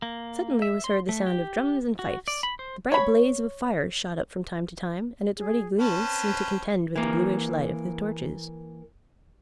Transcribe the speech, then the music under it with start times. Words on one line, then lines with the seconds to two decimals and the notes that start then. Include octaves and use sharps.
Suddenly was heard the sound of drums and fifes; the bright blaze of a fire shot up from time to time, and its ruddy gleams seemed to contend with the bluish light of the torches.
0.02 A#3
0.62 E5
0.84 C6
1.09 A3
1.26 G4
1.99 F#4
2.28 D5
2.43 B5
2.59 C5
2.92 C#5 B5
5.37 G#4
5.79 C4 C#4 B4 A5
6.96 E3 A#3